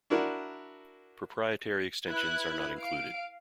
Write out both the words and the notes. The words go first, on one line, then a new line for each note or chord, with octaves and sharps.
Proprietary extensions are not included.
D4 E4 F#4 A#4
E4 B4 F#6 G#6
F5 D7